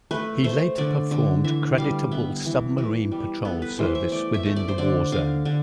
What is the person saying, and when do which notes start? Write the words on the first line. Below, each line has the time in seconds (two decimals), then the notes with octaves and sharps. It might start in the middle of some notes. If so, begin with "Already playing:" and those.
He later performed creditable submarine patrol service within the war zone.
0.11 A3 B4
0.44 A3 C5
0.78 D3 D5
1.11 D3
1.44 E3 E5
1.78 G3 F5
2.11 B3 E5
2.45 E3
2.78 E3
3.11 G3
3.45 B3 A4
3.62 B4
3.79 E3 C5
3.95 E5
4.12 A3 D5
4.34 E5
4.46 A3
4.56 D5
4.68 C5
4.78 D3 D5
5.12 D3 F5
5.45 D3